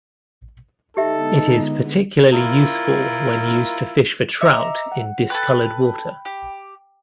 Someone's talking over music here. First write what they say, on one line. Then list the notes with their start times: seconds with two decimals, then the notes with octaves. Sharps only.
It is particularly useful when used to fish for trout in discolored water.
0.97 D3 G#3 B3 D#4 G4 A4 E5
2.33 E4 F4 A#4
4.41 D#5 E5 A#5 D6 C#7
4.92 F#5
5.30 A4 B4 G5 B5
6.25 G4